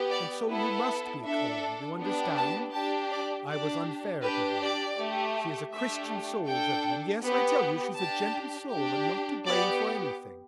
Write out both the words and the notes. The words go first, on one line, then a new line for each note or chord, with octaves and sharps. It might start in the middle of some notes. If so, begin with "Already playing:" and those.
And so you must be calm, do you understand? I was unfair to her; she is a Christian soul, gentlemen, yes, I tell you, she's a gentle soul, and not to blame for anything.
Already playing: B3 G4
D5
B3 E4 A4 B4
D4 A4 E5
B3 D4 G4
A5
D4 G4 A5
D5
D4 G4 D5
D4 G4 B4
D5
A3 G4
A3 D4 G4 E5
D4 A4 G5
B3 G4
D4 G4 A5
D4 G4
B3 G4 D5